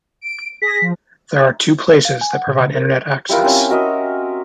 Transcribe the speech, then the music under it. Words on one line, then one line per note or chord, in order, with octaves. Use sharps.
There are two places that provide Internet access.
D7
G#4 A#6 B6
F3
F5
G#5
F#5
A#2
C#3
A#4
G3 E4 F4 A#4
C4 C#4 E6
F#4 A#4 D#5 E5